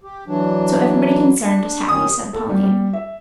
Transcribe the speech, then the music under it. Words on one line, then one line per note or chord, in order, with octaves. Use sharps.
"So everybody concerned is happy," said Pauline.
G4
E3 F#3 D4
D4
D#3 G3 C#4 D#6
A4
G3
G3
E5